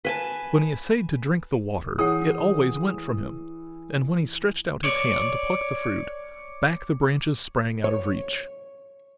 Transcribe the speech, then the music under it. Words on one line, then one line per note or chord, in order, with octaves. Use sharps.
When he essayed to drink the water it always went from him, and when he stretched out his hand to pluck the fruit, back the branches sprang out of reach.
B4 G#5 A5
E3 G#4 C#5 F#5 D#6
C#5 D5
C#5